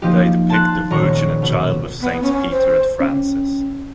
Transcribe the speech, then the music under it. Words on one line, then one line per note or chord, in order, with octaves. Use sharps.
They depict the "Virgin and Child with Saints Peter and Francis".
F3 A#3 D#4 G4
A5 C6 F#6
D#1 A#5 C#6
B2
B3
C#4
C5
C#4